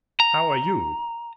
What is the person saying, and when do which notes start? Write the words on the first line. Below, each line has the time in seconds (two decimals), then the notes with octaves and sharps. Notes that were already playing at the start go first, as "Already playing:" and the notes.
How are you!
0.20 A#5